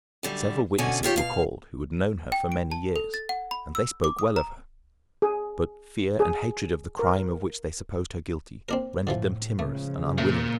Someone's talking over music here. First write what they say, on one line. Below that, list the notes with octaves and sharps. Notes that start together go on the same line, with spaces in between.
Several witnesses were called who had known her for many years, and they spoke well of her; but fear and hatred of the crime of which they supposed her guilty rendered them timorous and unwilling to come forward.
F#2 D3 G3
B2 D3 C#4 F#5 G#5
D#3 F4 G4 C#5
B2 F5
G5
D7
A5
A4
A6
F#5
B5
E6
D6
D#6
A#5
G#4
G#4
A#4
C4 D4 A#4
A2 D3 E3 F3
C#3 F3 G#3 A3
A#2 A3